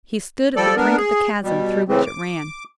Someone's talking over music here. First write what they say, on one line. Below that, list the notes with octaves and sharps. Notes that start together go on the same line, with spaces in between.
He stood at the brink of the chasm through which it ran.
F3 G3 A4 D5
B3 D4 A#4
G#4
B2 G3
A2 C#3 E3 C4
D6